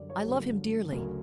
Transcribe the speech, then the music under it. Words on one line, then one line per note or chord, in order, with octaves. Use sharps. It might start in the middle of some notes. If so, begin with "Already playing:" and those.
I love him dearly.
Already playing: F#2 D3 G3 D5
C#5
G4
G2 D3 F#3 A#3 A#4
D2 C#3 F#3 A#4